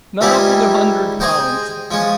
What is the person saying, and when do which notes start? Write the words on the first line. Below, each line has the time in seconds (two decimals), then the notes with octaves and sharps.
Now for the hundred pounds.
0.21 C#2 G#2 G3 C#4 E4 G4
1.20 G#4 C5 D#5 G5
1.91 F3 G#3 C#4